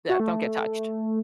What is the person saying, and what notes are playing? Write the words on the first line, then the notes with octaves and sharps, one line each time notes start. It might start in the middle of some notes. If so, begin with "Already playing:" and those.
that don't get touched.
F#4
A3